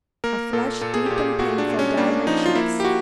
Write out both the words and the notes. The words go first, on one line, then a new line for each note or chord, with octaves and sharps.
A flush, deep and painful, dyed her cheeks.
A#3 A#4
A#2 A4
A#2 A4
G#4
A#2 G4
G#4
A#2 F#4
D4
A#2
C#4
A#3 D4
F3 D#4
F4
A#3 E4
G4
F#4